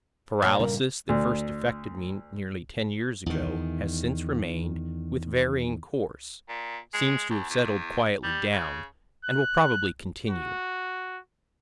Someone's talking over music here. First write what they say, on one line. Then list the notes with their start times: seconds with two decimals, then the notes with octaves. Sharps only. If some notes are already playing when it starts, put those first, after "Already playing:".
The paralysis that first affected me nearly ten years ago, has since remain'd, with varying course--seems to have settled quietly down, and will probably continue.
0.42 A#2 A#3 C#5
0.60 G2 C#3 G3 A#4
1.09 D2
3.26 E2 D#3
6.49 A#2
6.94 G#3
7.30 D#2
7.50 E2
8.23 G3
8.52 C#3
9.25 F#6
10.30 F#4